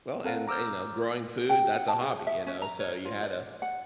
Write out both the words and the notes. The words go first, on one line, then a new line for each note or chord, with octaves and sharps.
Well, and and you know, growing food, that's a hobby, you know? So, you had to
C4 A4 A#4 F5 F#5
A#5 D6 E6 F6 G6
G5
F#5
A5
G#4
E5
C#4
A#5
C#5
F4
D5
F#5